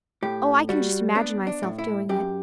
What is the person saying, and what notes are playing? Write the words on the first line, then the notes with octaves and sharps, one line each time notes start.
Oh, I can just imagine myself doing it.
A2 G4
G3 F#4
B3 D4
D4
A2
E4
F#2 G4